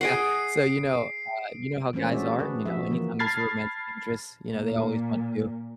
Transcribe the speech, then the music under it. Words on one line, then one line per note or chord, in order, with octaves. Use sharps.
yeah. So, you know, uh you know how guys are, you know? Anytime there's a romantic interest, you know, they always want to,
G#4 D#5 F#5 C7 D7
E3 G#3 A3 C#4 C5
D4 F#4 G#4 D5 E5
G4 B4
F3 F#4 E5
D3 E3 F3 A#3
A5 B5 F6 G#6 A6 C7
A#2